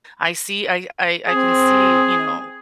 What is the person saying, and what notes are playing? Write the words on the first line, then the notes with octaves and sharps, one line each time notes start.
I see I I I can see, you know,
C4 G#4